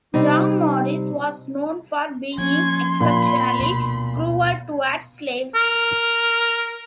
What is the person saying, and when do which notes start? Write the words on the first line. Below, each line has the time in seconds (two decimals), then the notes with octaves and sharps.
John Maurice was known for being exceptionally cruel towards slaves.
0.14 C3 G3 D#4
2.38 F3 A#3 C#4 C6 G#6
3.01 A#2 B5
3.59 D2 B2
5.55 A#4